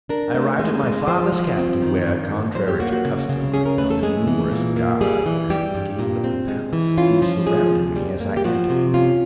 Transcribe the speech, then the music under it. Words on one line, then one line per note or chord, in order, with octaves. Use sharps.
I arrived at my father's capital, where, contrary to custom, I found a numerous guard at the gate of the palace, who surrounded me as I entered.
D4 A#4
A3
G#3
G#3
F3 C5
F3
C4
D#3
G2
G2
F#3 C5
G4
A#3 F#4
F#4
C#3
C#3
C#4 G#4
A#4
A3 B4
A4
G#3 G#4
E3
A#2
A#3
G3 G#4
E3
G3 G4
G2
A#2
C4
G#3
E3
C#4 F4
F3
G#3 G#4
C3
G3
A#3
G4
F3 F#4
C3
C#4 F4